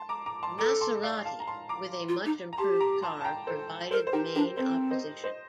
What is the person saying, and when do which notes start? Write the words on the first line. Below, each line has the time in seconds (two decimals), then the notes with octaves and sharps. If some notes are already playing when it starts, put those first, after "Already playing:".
Maserati, with a much-improved car, provided the main opposition.
Already playing: A5 C6
0.09 A#5 D6
0.26 A#5 D6
0.43 A5 C6
0.59 A4 A#5 D6
0.81 A5 C6
1.03 D5 F5
1.25 F5 A5
1.40 A#5
1.47 A5 C6
1.69 A#5 D6
2.09 F4
2.25 D#4
2.53 A#5
2.58 G4 A5 C6
2.81 A#5 D6
3.03 A5 C6
3.21 A5
3.24 G5 A#5
3.47 A4 C5
3.91 A4 A#4 C5
4.07 C5
4.13 D#4 G4 A#4
4.35 D4 G4 A#4
4.57 C4 A4 C5
4.90 C5 D#5
5.24 C5 D#5